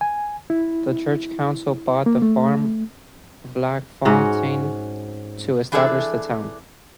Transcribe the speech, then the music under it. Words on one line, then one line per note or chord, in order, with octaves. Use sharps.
The church counsel bought the farm Vlakfontein to establish the town.
G#5
E4
A#3
A3
G#2 C#4 F#4
E3 D4 G#4 A4 E5